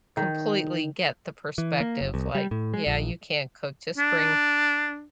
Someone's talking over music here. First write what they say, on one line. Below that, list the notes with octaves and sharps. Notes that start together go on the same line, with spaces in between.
completely get the perspective, like, "Yeah, you can't cook, just bring
D#3
E3
A#3
F#1
C2
G3
A2
G#3
A#1
D4